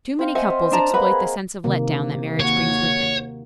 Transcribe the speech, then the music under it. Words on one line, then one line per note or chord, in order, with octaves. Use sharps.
Too many couples exploit the sense of let-down that marriage brings with it.
C4 F5 C6
C5 D#5 E5 F#5 G#5
C4
D4 A5 A#5
A#3 B4 D#5 F#5 B5
G#4
C3 D#3 A#3
D#2 F#4 C#5